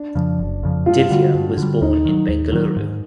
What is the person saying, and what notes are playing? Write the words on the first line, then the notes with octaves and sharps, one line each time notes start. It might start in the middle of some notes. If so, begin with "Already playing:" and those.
Divya was born in Bengaluru.
Already playing: D4
F2 C#3 F3
F#1
F2 C#3 F3
G2 F4
F4
D3 G3 F#4
G2
D3 G3
D#2 D#4
D#3 F#3
D#2
D#3 F#3
G#2